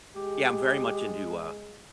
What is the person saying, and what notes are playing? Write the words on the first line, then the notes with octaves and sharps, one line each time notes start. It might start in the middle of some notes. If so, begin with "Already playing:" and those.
Yeah, I'm very much into, uh,
G#3 G4